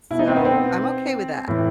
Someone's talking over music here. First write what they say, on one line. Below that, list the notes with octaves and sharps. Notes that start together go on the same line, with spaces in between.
So, I'm okay with that.
B2 E4
D#4
C4
B3
C4
A2 E3